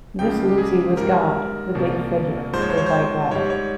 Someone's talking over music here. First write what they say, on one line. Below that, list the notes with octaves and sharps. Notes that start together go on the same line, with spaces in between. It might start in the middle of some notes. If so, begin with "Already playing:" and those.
This Lucy was God, the Big Figure, the White Rabbit.
C#2 C#3 F3 G#3 G5
G4
G#4
G#2 G3 A#4
C2 A#2 F3
G#2 F3 G#3 C5
C#5
C5
C#5
C5
G#2 G3 C#5
C#5